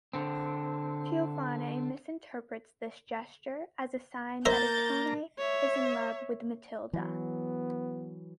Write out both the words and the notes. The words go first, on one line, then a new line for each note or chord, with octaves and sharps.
Teofane misinterprets this gesture as a sign that Ottone is in love with Matilda.
D3 C4
A#3 A#4 C5 D#5 E5 A#5 G6 A6
C#5 E5
E3 F#3 B3